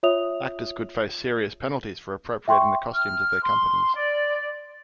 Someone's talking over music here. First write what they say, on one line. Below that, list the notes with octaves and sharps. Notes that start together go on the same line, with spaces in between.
Actors could face serious penalties for appropriating the costumes of their companies.
F4 C#5 E5 D#6 F7
E5 G5 C6 C#6
F6
C6
D5